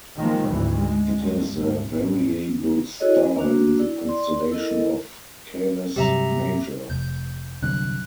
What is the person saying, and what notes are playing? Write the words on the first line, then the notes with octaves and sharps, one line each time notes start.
It is a variable star in the constellation of Canis Major.
D#3 F3 G#3 A#3
G#1 D2 G#2 E3
G#3
G2
G#1
A1
E4 F#4 G#4 A4 C#5 D#5
B4 D#5 G#5
A#3 D4 F#4
E4 D5
D5 C6
E4 A4 A#4 D#5
G2 C3 F#3 G4 E5 A#5
F1 G6
C2 F#2 D3 F#6